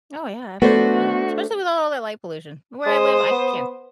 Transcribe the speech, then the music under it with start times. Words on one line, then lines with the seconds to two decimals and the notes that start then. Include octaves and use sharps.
Oh, yeah, absolutely. Especially with all all that light pollution. Where I live I can't
0.62 A3 B3 D4 F#4 C5
2.86 G#3 C5 D#6
3.31 B3